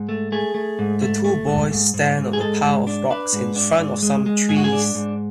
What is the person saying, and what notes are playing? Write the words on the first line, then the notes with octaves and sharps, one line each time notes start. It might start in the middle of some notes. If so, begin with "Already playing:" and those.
The two boys stand on a pile of rocks in front of some trees.
Already playing: G#2
A3
A3 G#4
A3
G#2
A3
A3
G#2
G#2
G#2
G#2
G#4
G#3 A4
G#2
D4
D4 B4
G#2
D4
G#2
G#3
G#3
G#2 G#4
F#4
G#4
D4
G#2